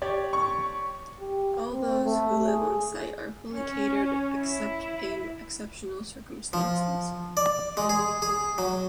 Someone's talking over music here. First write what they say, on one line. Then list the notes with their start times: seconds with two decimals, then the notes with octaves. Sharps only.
All those who live on site are fully catered, except in exceptional circumstances.
0.02 G4 C#5 D5
0.33 C#6
1.20 G4
1.72 C4
2.04 A3
2.46 G#4
3.52 C#4
4.39 E4
6.53 F3
7.37 D5
7.77 G#3
7.89 G#4
8.22 G#4
8.58 F#3